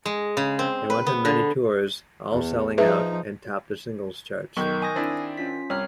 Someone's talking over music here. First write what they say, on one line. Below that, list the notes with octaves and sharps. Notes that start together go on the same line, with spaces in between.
They went on many tours, all selling out, and topped the singles charts.
G#3
C#3
C4
B4
B3
D3
E2
F3 D#4 G#4 B4 E5
B1 D#3 C#6 G6
G#5 D#6 A#6
C4 D4 E4
C#4 F4 B6
C2 C#5 F6